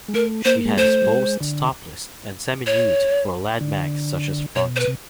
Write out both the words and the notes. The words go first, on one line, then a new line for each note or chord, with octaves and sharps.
She has posed topless and semi-nude for lad mags such as "Front".
G#3
A3 A#4
A#3 C5
G#3
A3 C5
G3
G#3
D3
C#5
D3
B2 C#5
C5
B4
C3